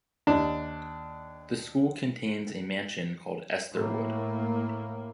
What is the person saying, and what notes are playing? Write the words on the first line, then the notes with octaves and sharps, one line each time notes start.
The school contains a mansion called Estherwood.
D#2 D4
A2 A#3